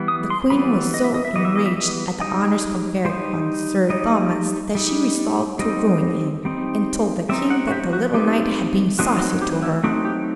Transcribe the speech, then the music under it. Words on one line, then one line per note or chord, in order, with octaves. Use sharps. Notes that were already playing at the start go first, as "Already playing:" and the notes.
The Queen was so enraged at the honors conferred on Sir Thomas that she resolved to ruin him, and told the King that the little knight had been saucy to her.
Already playing: E3 G3 B3
D#6
C6
E3 G3 B3 B5
D#5
E5
D#5
E5
E3 G3 B3 D#5
E5
D#5
E5
D#5
G3 D#4 D#5
G3 D#4 C5
G3 D#4 D#5
G3 D#4
G3 C4 D#4 D#5
G3 C4 D#4
G3 C4 D#4 E5
F#5
F#4
G4
F#4
G3 C4 D#4 G4
F#3 A3 C4 D#4 F#4
F#4
G4
E4
F#3 A3 C4 D#4 F#4
G4